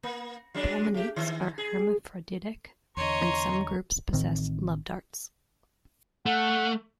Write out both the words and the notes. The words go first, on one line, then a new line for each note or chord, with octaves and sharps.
Pulmonates are hermaphroditic, and some groups possess love darts.
A#3
F#3 G#3 D4
A3 G4
D#3
G#4
E2 D3 C#5 D#5 A#5 C6 C#6
A1 A2 D#3 C4
A3 F#5